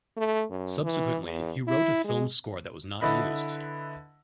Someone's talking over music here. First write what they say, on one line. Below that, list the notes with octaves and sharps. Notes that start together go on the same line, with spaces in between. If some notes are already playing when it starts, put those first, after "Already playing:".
Subsequently, he wrote a film score that was not used.
A3
F#2
E3
E2
E4
G#3
D3 E4 B4 D#5 B5